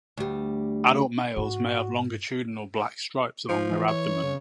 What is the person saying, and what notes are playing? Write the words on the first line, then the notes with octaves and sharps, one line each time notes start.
Adult males may have longitudinal black stripes along their abdomen.
D2 G3
G#2 F#4
F3
E3
C#5
C#3